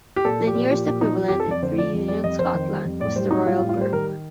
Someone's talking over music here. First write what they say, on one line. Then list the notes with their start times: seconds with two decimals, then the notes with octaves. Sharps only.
The nearest equivalent in pre-Union Scotland was the royal burgh.
0.16 G4
0.25 A#2 A4
0.39 F3
0.47 G4
0.55 A#2
0.70 F3 G4
0.86 A#2 G4
1.01 F3 D#4
1.16 F3
1.28 G4
1.32 F2
1.40 A4
1.47 F2 D5
1.63 D3 C5
1.78 F3 D5
1.94 F2
2.08 G3 D5
2.24 F2 D#5
2.39 F2 C5
2.54 D#3
2.69 G3
2.85 F2
3.00 A2 D5
3.16 G3 C5
3.31 A2 D#4
3.46 G3 F4
3.58 F4
3.61 A2
3.69 F4
3.76 G3 C5
3.92 D#3 A#4